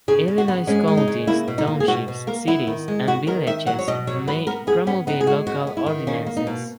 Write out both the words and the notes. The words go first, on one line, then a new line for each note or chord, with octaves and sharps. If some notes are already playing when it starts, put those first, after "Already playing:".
Illinois counties, townships, cities, and villages may promulgate local ordinances.
C#3 G#4
C#3
F#4
B3
G#3 C#4
G#3
D#4
C#3
A#3 E4
B2
D#4
A#3
G#4
B2 F#4
B2
A#3 A#4
B3 E4
D#3
G#3
B3 F#4
D#3 A#4
D#3 E5
F#3 F#5
C#5
B2 D#5
F#3 C#5
B3 B4
B3 A#4
B3 G#4
B3 C#4
B3 D#4
G#4
G#3 F#4
B3 F#4
B3
E4
D#3
A#3 C#4
A#3
D#4
B2